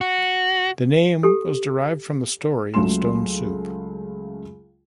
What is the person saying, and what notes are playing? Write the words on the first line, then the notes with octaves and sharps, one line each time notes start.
The name was derived from the story of stone soup.
F#4
G4 A4
C#2 C#3 F#3 A3 C6 E7